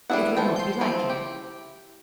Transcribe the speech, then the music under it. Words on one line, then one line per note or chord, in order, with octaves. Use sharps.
It would not be likely.
G3 B3 D4 E4 G#4 F#5
F3 G5
C6 G6
F3 C4 E4
G4